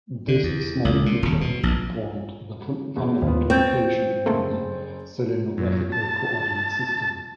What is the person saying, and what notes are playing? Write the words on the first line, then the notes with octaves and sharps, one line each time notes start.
This small feature formed the fundamental location in the selenographical coordinate system.
D3
E2
C#2
A#2
D#1
B2
A#1
E2
D#2 B3 F4 C5
C4 C#6 G6 A6
F#1 A3 A#3 G#4 A4 C6
F#2
A5